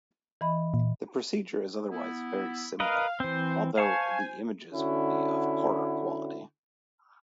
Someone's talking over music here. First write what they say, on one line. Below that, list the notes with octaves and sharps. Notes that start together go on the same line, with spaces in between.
The procedure is otherwise very similar, although the images will be of poorer quality.
E3 D#5 B5
A#2
B3 E4
A#4 B4 D#5 F5
E3 C4 C5
C5 F5 G#5 A5 C#6
D3 C#4 E4 F#4